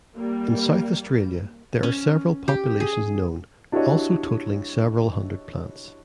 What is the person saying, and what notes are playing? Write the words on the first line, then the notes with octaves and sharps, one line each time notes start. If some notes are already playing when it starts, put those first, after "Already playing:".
In South Australia there are several populations known also totalling several hundred plants.
G3 A#3
C#4
G4
G#4
D4 E4 F#4 G4 C#5 D#5